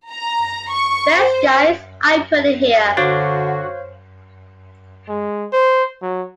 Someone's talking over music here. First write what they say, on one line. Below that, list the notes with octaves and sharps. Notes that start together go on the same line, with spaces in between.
Thanks guys, I put it here.
A#5
C#6
C5
D3 D4 F#4 C5 C#5 F5
G#3
C5
F#3